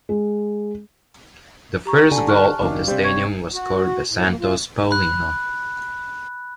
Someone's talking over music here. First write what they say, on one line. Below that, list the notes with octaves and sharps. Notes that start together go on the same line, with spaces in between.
The first goal of the stadium was scored by Santos' Paulinho.
G#3
G4 A#5 C#6
D3 G#5 A5
A5 C#6 F6 F#6
F#1 F#2 D#3 D4 F5 A5
C3 G3 C5 E5
C#5 G#6
F#4
A2
A#3
F4
B5 F#6